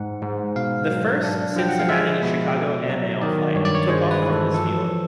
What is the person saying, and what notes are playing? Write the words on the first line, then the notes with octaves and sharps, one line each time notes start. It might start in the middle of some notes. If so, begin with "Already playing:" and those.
The first Cincinnati-Chicago airmail flight took off from this field.
Already playing: G#2 F#5
G#2
B2 F5
F#3
D4
F3 G5
F#5
F5
G#3 E5
B2
B2
F#3
D#3 D5
G2 C#5
D5
C#5
G#3 C5
B4
E3
A4
F3 A4